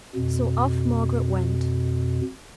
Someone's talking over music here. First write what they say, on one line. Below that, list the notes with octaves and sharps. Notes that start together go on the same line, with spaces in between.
So off Margaret went.
F2 B2